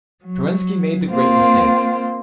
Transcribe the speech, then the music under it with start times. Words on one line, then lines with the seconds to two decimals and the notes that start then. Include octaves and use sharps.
Kerensky made the great mistake.
0.22 F#3
1.10 A#3 C4 F4